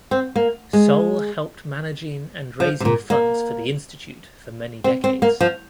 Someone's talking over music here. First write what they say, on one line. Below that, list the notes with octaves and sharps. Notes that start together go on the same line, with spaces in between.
Solh helped managing and raising funds for the institute for many decades.
C4
A#3
G#3
F3
C3
A#2
A#3
C4
C4
A#3
F3